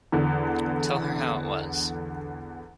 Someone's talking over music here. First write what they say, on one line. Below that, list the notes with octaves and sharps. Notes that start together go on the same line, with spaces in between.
Tell her how it was.
E2 D3